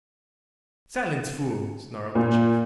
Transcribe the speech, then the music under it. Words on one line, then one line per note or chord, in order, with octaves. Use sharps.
"Silence, fool!" snarled the chief.
A#2